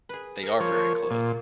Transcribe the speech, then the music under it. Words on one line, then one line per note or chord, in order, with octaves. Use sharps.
they are very close.
G#4 B4
A#4
F3 A#3 C#5
A#2